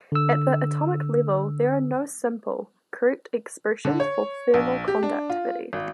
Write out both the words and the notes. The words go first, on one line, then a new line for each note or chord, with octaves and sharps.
At the atomic level, there are no simple, correct expressions for thermal conductivity.
D3 E6
D3
C#5
A#1
G4
D4
F4
G#1